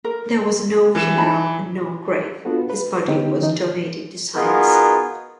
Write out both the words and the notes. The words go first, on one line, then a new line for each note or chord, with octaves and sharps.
There was no funeral and no grave, his body was donated to science.
A#4
E3 E7
D#4 A5 B5
B3 D4 F4 F#4 A4
B4
D3 B3 C#4 D#4 G4
D#3 E3 D#4
B3 D#4 F4 F#4 G#4 A#4